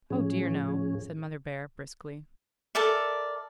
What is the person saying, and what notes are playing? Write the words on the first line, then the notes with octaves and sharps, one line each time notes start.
"Oh dear, no," said Mother Bhaer, briskly.
A2 F3 C#4 G#4
A4 A#4 D5 E5